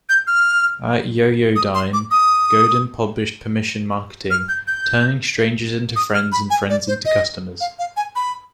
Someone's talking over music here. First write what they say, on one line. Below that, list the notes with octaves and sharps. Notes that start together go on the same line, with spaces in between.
At Yoyodyne, Godin published "Permission Marketing: Turning strangers into friends and friends into customers".
G6
F6
D#6
C6
D6
D#6
F6
G6
G6
D#6
F6
B5
G#5
D5
C5
D#5
F5
F5
G#5
B5